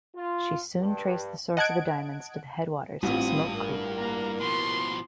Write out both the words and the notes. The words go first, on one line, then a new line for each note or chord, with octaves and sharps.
She soon traced the source of the diamonds to the headwaters of Smoke Creek.
F4
G2
D#5 F#5 A5 F#6 G#6 D7
A1 G2 C4 F4 D#6
A#4
A#3 A#5
B2 F3 C6